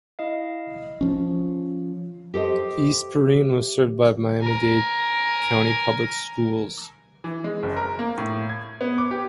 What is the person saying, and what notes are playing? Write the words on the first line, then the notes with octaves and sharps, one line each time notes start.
East Perrine was served by Miami-Dade County Public Schools.
E4 D#5 F5
F3 C#4
G4 A4 C5 D#5
A#4 G#5
E3
G#3
F#1
A#4
A#3
A2
G#6
B3
D6
G4